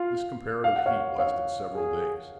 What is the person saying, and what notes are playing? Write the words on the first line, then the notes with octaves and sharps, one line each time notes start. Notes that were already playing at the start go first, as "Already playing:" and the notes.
This comparative heat lasted several days.
Already playing: F4 F5
F5
F#5
C#5 F5
C#5 F5
G#4